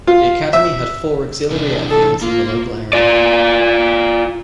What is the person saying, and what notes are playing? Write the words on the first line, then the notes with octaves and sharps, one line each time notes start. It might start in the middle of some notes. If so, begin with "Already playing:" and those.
The Academy had four auxiliary airfields in the local area.
F4
E5
C3 E3 D4
A4
A#3 F4
F4 D5